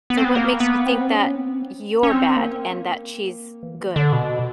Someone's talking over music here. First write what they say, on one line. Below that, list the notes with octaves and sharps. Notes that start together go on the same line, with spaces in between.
So what makes you think that, you're bad and that she's good
B3
C4
B3
A#3
B3
C4
B3
C4
C#4
C4
C#4
C4
A#3
E3
D3
B2